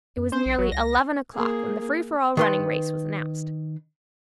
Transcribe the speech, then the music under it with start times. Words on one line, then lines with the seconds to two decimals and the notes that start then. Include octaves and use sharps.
It was nearly eleven o'clock when the free-for-all running race was announced.
0.17 F#2
0.32 C#4 C5
0.46 B1
0.58 A1 F#3
0.72 C#2 A#6
1.34 A#3 G#4
2.37 D#3 B4 C6